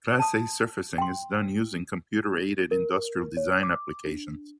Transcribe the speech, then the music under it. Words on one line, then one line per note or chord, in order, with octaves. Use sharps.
Class A surfacing is done using computer-aided industrial design applications.
A5 D#6
G5 C6
A#4
C#5
D6
D4